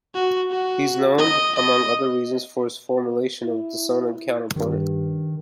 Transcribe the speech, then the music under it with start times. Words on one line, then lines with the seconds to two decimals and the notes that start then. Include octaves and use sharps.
He is known, among other reasons, for his formulation of dissonant counterpoint.
0.14 F#4
0.50 F#4
1.18 D#5
1.55 D#5
3.43 E4
4.56 G2 D#3